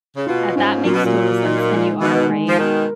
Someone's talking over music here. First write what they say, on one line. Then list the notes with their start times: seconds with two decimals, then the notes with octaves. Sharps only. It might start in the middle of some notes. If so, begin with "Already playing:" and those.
Ah, that makes total sense. And you are right
0.16 C#3
0.27 B2 F4
0.55 G#2 C#4
0.85 A#2 F#3
0.94 B2
1.04 A#2
1.14 F#3
1.43 D#4
1.71 G#3
2.00 B2 D#3
2.29 G#3
2.47 F3
2.58 B2 D#3 A#4